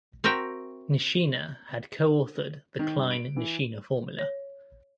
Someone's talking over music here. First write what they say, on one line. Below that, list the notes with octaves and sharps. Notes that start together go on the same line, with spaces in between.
Nishina had co-authored the Klein-Nishina formula.
C4 F#4 A#4 E5 G5
D#3
G2
D7
E3
C#5